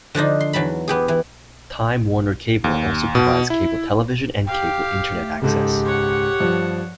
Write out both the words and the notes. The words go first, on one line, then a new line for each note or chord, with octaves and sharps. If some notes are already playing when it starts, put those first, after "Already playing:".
Time Warner Cable also provides cable television and cable Internet access.
D3 F3 D4 D#4
C6
E2 F#3 A5 B5
B3 G4 G#4
E3
D#2
B2
E4
G4 F5 G5
A3
C#2 G#2 G4 A4
C#5 F#5
G2 F3